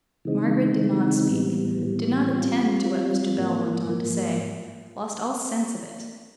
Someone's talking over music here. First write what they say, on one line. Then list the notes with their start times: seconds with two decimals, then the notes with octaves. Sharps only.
Margaret did not speak; did not attend to what Mr. Bell went on to say; lost all sense of it.
0.25 C#3 E3 G#3 C4 D#4
0.77 C#3 E3 G#3 C4 D#4
1.28 A2 E3 G3 B3
1.80 A2 E3 G3 B3
2.32 G3 C4 F4
2.85 G3 C4 F4
3.37 G#2 F3 A#3
3.89 G#2 F3 A#3